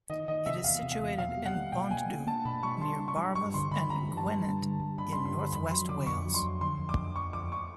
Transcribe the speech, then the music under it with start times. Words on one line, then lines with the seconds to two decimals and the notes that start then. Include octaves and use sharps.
It is situated in Bontddu, near Barmouth in Gwynedd in north-west Wales.
0.09 D#3 D#5
0.28 D#3 D#5
0.46 C3 E5
0.64 E2 F5
0.82 C3
0.92 F5
1.00 E2
1.18 B2 F5
1.37 G3
1.46 F#5
1.54 A#3
1.72 B2 G5
1.90 A#3 G#5
2.09 D4
2.27 A#3 A5
2.45 B2 B5
2.63 G3 C#6
2.81 D4 C6
3.00 D4
3.08 C#6
3.17 G3
3.35 G2 C#6
3.54 D3 C6
3.71 D3 B5
3.89 G2 A#5
4.08 G2
4.17 A5
4.26 G3
4.44 G2
4.62 D3
4.80 G3
4.98 G2 B5
5.13 G2 C6
5.25 C6
5.35 D3 B5
5.52 F2 B5
5.71 F#3 C6
5.89 D3 D6
6.07 F2 C#6
6.25 F#3
6.34 C6
6.43 F2
6.61 D3 C6
6.79 F2
6.89 D6
6.97 F2
7.15 F2 C#6
7.33 F2 D6
7.52 C#6